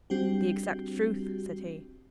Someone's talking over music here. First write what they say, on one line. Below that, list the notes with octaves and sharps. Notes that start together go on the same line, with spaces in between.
'The exact truth!' said he.
G3 C4 D4 F#4 G4